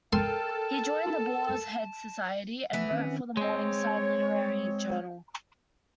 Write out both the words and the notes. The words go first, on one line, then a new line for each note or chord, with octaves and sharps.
He joined the Boar's Head Society and wrote for the "Morningside" literary journal.
A4 A#4 G5 A5 C6 F6
E3 F3 B3
D#3 C4 C#4
G#3 C4 C#5